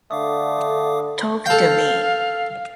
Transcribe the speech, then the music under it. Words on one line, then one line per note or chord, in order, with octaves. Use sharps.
Talk to me.
D3 A3 F5 D6 D#6
A4 F5 G5